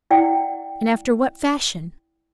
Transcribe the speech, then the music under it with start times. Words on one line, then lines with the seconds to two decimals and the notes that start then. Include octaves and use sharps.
"And after what fashion?"
0.11 E4 D5 F#5 G5